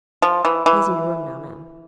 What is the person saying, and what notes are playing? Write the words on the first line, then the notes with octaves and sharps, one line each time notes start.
He is in your room now, ma'am.'
F3
E3
E3